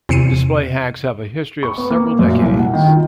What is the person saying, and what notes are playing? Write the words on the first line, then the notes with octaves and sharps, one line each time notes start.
Display hacks have a history of several decades.
E2 C3 C7 C#7 D#7
C#6
B3
A#3
F#2
A#2
C2
F#5
D#3
F4